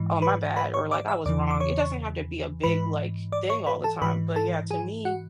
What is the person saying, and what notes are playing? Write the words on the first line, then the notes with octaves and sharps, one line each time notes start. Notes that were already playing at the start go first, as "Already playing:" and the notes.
"Oh, my bad," or, like, "I was wrong." It doesn't have to be a big, like, thing all the time, but yeah, to me,
Already playing: G#2 E3
B4 B5
B4 B5
C#5 C#6
D5 D6
E5 E6
E2 C#3 E3 D5 D6
D6
C#5 C#6
G#2 E3 B4 B5
D5 D6
C#5 C#6
B4 B5
A4 A5
G#2 E3 B4 B5
A4 A5
G#4 G#5
F#4 F#5